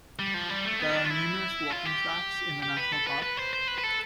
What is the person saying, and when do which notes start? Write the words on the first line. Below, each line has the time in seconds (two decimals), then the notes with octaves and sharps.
There are numerous walking tracks in the national park.
0.19 G3
0.34 F3
0.49 G3
0.65 A3
0.80 B3
0.91 E4
0.95 D4
1.04 F4
1.10 E4
1.70 F4
1.85 G4
2.62 G4
2.77 B4
2.92 A4
3.07 B4
3.22 B4
3.37 C5
3.53 C5
3.68 B4
3.78 B4
3.84 A4